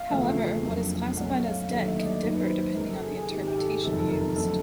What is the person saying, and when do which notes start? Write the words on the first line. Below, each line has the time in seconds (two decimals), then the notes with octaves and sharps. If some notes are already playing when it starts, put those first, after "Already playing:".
However, what is classified as debt can differ depending on the interpretation used.
Already playing: F5
0.10 E1 D2 C#3 F3 A3
0.63 F2 C#3 F#3 A#3 D4
1.16 B1 A2 F#3 A3 C#4 F#5
1.44 F5
1.69 D#2 D3 F#3 A3 F5
1.87 E5
1.98 D#5
2.05 D5
2.23 F#2 D#3 F#3 A#3 D#4
2.34 B4
2.41 C5
2.59 C5
2.76 F#2 C#3 F#3 A#4
2.90 A4
3.03 G#4
3.16 G#4
3.30 G#1 G#2 D#3 G4
3.47 G4
3.57 A4
3.65 G#4
3.82 F#1 F2 C3 D#3 A4
3.98 A4
4.10 A#4
4.36 F1 F2 D3 F#3 A3 A4